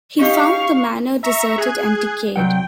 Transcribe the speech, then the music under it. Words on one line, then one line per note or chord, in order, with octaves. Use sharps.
He found the manor deserted and decayed.
C#4 D#4 G4 F5 C#6
E5 A#5 C#6
G#4 F#6 G#6
C2 F#3 F#5 G5